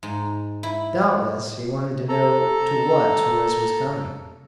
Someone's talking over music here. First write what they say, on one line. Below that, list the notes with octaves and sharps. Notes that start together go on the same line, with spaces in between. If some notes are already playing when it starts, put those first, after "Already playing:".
Doubtless he wanted to know to what Torres was coming.
G#2
E4
A4 A#5